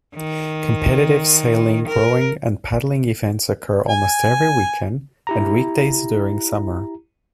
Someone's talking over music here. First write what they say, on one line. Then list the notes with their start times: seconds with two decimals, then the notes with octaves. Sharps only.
Competitive sailing, rowing, and paddling events occur almost every weekend, and weekdays during summer.
0.16 D#3
1.87 A#4
3.88 G#5
5.27 E4 G4 A#5